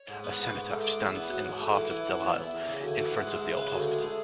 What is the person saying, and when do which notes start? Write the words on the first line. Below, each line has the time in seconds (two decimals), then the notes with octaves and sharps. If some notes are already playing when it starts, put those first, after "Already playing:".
A cenotaph stands in the heart of Delisle in front of the old hospital.
Already playing: C#5
0.09 G#2
0.24 B3
0.38 G#2 B4
0.54 G#2
0.69 A3
0.84 G#3 D5
1.00 E2
1.08 E5
1.15 B3
1.30 F#3 F#5
1.45 G#2
1.61 A3
1.75 E3
1.90 E3 G#5
2.05 E3 F#5
2.20 E2 E5
2.36 E2
2.44 E5
2.51 E2
2.66 C#3 G#5
2.81 D2
2.88 G#5
2.96 E3
3.11 G#2 F#5
3.27 G#3
3.34 E5
3.42 G#3
3.57 C#3 B4
3.72 D2
3.87 G#3
4.02 A3 G#4